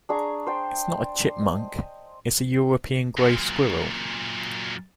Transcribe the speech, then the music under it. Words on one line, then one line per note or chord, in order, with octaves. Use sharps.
It's not a chipmunk: it's a European grey squirrel.
D4 G#4 A#5 C#6
C5 G5 A5
D#5
F#2 A#2